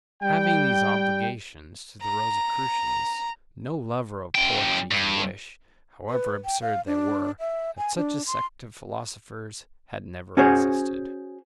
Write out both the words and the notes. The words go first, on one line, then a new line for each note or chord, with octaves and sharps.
Having these obligations to the Rosicrucians, no lover of poetry can wish, however absurd they were, that such a sect of philosophers had never existed.
G3 G5
A#5
F#2 G5
G2
B4
G5
F5
D4
E5
G#5
D4
C6
C#4 F#4 G#4 C5 C#5